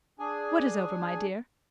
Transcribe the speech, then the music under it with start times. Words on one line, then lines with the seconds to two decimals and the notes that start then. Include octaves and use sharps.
"What is over, my dear?"
0.19 D4 G#4 G#5